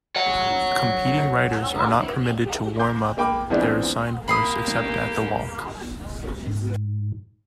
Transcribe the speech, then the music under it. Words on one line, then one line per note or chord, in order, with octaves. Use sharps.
Competing riders are not permitted to warm-up their assigned horse except at the walk.
C#5 F#5
C6 D6 G6
G#3 A#3 G5 B5 D6
E3 F3 G#3 B3 C4 D4
A#3 G4 B5 C6 D#6
G#2